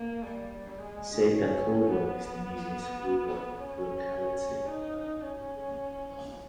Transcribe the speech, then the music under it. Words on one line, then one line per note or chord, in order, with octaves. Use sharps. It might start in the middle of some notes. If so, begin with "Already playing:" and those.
Seytakovo is the nearest rural locality.
Already playing: A#3
G3
G#3
C#4
B3
C#4
D#4
C#4